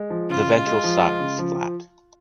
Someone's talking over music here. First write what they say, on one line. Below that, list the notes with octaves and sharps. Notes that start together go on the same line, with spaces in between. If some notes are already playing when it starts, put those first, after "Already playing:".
The ventral side is flat.
Already playing: G#3
F3
C#3 F4
G#3
G#3
F3
G#3
C#3
F3